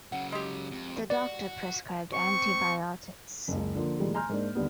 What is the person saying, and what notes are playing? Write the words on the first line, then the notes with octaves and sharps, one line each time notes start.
The doctor prescribed antibiotics.
C#3 F#3 F#5
G#3 G4
F2
F#4 D5
C4 C#6
F#1 C#2
D3 F3 A#3
A2 D#3 F3 G3 G#3 A#3
G#5 A#5 C6 F6 G6
G#2 A#3 D4
D#2 D3 G3 B3